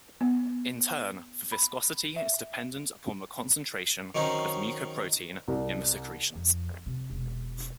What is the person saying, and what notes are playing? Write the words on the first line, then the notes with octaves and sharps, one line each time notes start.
In turn, the viscosity is dependent upon the concentration of mucoprotein in the secretions.
B3
B5
E5
D#3 F#3 C4 C#4 D#4
C2
F2
C3
E1